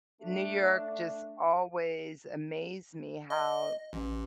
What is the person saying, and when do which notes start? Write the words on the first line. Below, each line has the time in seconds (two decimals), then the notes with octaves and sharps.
New York just always amazed me how
0.21 A3 D4
3.30 D#5
3.93 A1